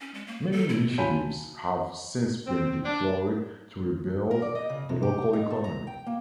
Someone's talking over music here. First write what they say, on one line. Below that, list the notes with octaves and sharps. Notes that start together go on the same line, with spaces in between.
Many initiatives have since been deployed to rebuild the local economy.
C#4
G#3
A#3
A4
E4
F#4 C#5 F5 G#5 A5 B5
C4
D4
A#4
D5
D#5
C#3
C3
G4
D#4
A3
A#5
G5
A#3